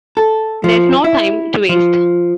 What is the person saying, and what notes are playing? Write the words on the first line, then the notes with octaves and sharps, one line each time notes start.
There's no time to waste.
A4
F3
E4
F3